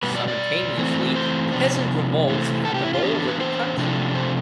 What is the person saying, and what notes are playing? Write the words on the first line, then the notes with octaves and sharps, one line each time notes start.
Simultaneously, peasant revolts happened all over the country.
B2 G3 B3 B4
D5
D5
E3 A3 C4
C5
C3 F3 B3 D4
C3 E3 A3 C4
A4
G4
E4
F4
E3 B3 D4 G4
A4
B4
C5
C3 F3 A3 D4
C5